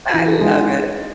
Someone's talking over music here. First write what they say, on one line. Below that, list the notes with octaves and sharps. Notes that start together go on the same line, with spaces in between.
I love it.
E3
G#3 D#4